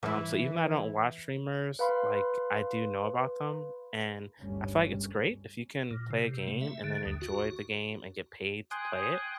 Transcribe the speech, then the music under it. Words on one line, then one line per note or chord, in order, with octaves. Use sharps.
Um, so even though I don't watch streamers, like, I do know about them, and I feel like it's great if you can play a game and then enjoy the game and get paid to play it,
E3 E4
B4 F5 B5 C6
G1 D2 G2 G3 C#4
A#2
C3
A3
E5
D3
D#2
F#4
G5 G#5 C6 D#6 F#6